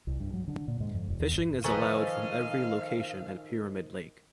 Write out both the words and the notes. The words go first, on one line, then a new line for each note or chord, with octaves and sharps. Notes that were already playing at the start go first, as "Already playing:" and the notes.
Fishing is allowed from every location at Pyramid Lake.
C2
G2
F#3
D3
A#2
G#2
F2
E1
E2
G1
D#3 F3 A4 B4 D#5 F5 G#5 C#6